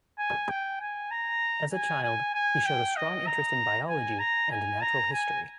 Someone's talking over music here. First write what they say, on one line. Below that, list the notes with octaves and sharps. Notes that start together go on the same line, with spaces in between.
As a child, he showed a strong interest in biology and natural history.
G#5
G5
G#5
A#5
G#5
G#5
G#5
G5
D#5
A#5
G#5
A#5
G#5
A#5
G#5